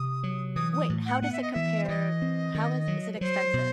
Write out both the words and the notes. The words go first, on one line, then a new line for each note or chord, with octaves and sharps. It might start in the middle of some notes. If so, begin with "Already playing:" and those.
Wait, how does it compare? How is is it expensive?
Already playing: C3 D#6
F#3
E3 D#6
D#6
A2
F#5
B3 F#5
E5
D#5
E3 E5
C5
E3 D#5
C4
D#3
F#3
B4
F#3 C5
B2